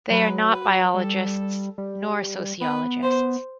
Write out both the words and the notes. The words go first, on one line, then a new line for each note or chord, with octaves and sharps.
They are not biologists nor sociologists.
F#3 B4
B4
G3 A4
G3
B3 B4
C5